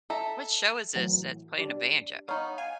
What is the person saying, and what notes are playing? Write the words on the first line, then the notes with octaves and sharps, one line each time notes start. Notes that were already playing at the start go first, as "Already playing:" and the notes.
Which show is this that's playing a banjo?
A4 E5 A#5
A2 E3 F#3
G3 D4
B3 D#4 C#5 F5
F5 G#5